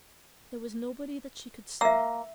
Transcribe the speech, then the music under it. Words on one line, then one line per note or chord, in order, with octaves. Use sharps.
There was nobody that she could see.
A#3 E5 E6